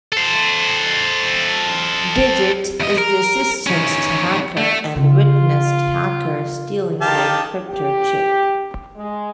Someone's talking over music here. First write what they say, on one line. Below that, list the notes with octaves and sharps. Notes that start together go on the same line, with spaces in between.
Digit is the assistant to Hacker and witnessed Hacker stealing the Encryptor Chip.
A4 C5
E2 D#5
A#4
D#3 C#4
A3
C#3 A3 F4
D#3 G4 F5 A5
G4
G#3